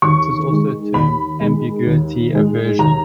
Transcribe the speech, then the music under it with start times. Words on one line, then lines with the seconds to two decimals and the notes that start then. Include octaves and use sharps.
This is also termed "ambiguity aversion".
0.02 D#2 C#6
0.48 D#3 G#3
0.94 D#2 B5
1.41 D#3 G#3
1.87 D#2
2.33 D#3 G#3
2.79 D#2 A#5